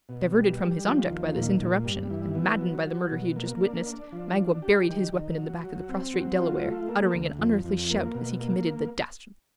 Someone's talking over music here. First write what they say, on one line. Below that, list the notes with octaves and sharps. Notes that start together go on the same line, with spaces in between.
Diverted from his object by this interruption, and maddened by the murder he had just witnessed, Magua buried his weapon in the back of the prostrate Delaware, uttering an unearthly shout as he committed the dastardly deed.
B2
G3
G3
F3
D#2
A#2
A#2
G2
E3
B3
F#3
F#3
B2
A#3
D4
D4
F3
D4
G4
D#3
D#3
F#3
F#3
C4
F#3
F4
A3
A#3
D2
F2
F2
A#3
B2
A#3